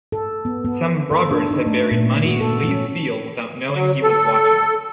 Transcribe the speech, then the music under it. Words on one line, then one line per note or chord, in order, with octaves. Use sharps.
Some robbers had buried money in Li's field without knowing he was watching.
A4
B3
B3
A4
D4
D#4
A3
A#2
F#4
A4
C#4
F#3
A4